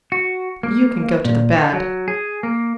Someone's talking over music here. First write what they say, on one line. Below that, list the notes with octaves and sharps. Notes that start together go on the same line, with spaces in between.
You can go to the bad.
F#4
A#3
A#2
D#4
F#3
G#4
A#3